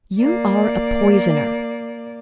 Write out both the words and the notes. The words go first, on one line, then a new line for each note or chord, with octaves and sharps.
"You are a poisoner."
A#3 D5